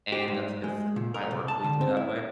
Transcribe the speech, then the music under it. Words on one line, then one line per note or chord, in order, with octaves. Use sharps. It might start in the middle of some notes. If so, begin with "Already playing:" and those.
and that's because my work leaves me that way.
G4
G#2
G#3
A#2
A#4
C2
A5
D3
C4
E4